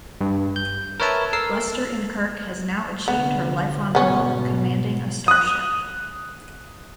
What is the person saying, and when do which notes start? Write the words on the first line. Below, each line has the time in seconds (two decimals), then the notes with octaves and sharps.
Lester-in-Kirk has now achieved her lifelong goal of commanding a starship.
0.21 G2
0.56 G6
1.00 A#4 B4 C#5 E5 A5
1.33 A4 A#4 E6 C7
3.08 D2 C3 B3
3.95 G#2 B2 B3 C#4
5.28 D#6 F#6